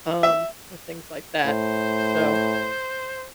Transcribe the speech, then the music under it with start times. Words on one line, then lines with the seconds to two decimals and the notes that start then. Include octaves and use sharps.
um, or things like that. So,
0.23 E5
1.46 A2 C5